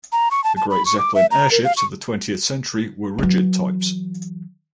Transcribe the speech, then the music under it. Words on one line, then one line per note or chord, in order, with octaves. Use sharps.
The great Zeppelin airships of the twentieth century were rigid types.
A#5
C#6
A5
A5
B5
C#6
D6
E5
A#5
A#4
F5
C#6
E3 F#3